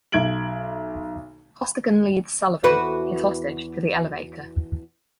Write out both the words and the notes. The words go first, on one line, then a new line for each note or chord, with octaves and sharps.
Costigan leads Sullivan, his hostage, to the elevator.
B1 E5 G#6 D7 F#7
E2 F#4 B4